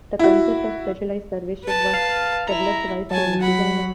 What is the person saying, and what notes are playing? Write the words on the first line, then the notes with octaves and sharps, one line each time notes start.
The concept of a specialized surface ship was developed by Soviet designers.
E4 F#4
B4 A5
F5
E4 A#5
F#3 G#5 A5
F#5 B5